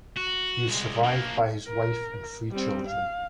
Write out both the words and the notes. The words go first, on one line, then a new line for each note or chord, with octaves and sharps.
He is survived by his wife and three children.
F#4
C2 G#3
A#3 D4
A#4
G3 C4
F5